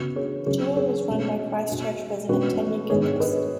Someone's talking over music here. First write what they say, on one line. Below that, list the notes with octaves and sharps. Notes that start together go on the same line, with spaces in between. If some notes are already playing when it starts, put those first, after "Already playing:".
The tour was run by Christchurch resident Tania Gilchrist.
Already playing: C#3 B3 F#4 B4
G#4 C#5
C#3 F#3 C#4 G#4 C#5
G#4 C#5
B2 G#3 C#4
B2 B3
B2 G#3 C#4 F#4 B4
G#2 D#3 B3 G#4 C#5
B4 D#5